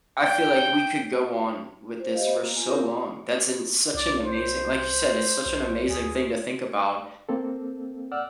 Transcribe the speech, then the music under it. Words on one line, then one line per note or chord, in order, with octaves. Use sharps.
I feel like we could go on with this for so long. That's an such an amazing like you said, it's such an amazing thing to think about,
G5
C5
G4 C5 D#5 F5
B3
A#3
F4 G#5
B3 C4 E4 G4 A#4 D5
C2 D5
C5
B1
D2 G#4
A#3 C4 A4
D5 F#5 E6 F6